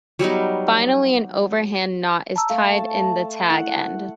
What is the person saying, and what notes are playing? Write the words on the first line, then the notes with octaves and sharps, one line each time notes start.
Finally, an overhand knot is tied in the tag end.
F#3 G3 B3 D#4
A5 A#5 E6
A3 F5
A5
E4 F#5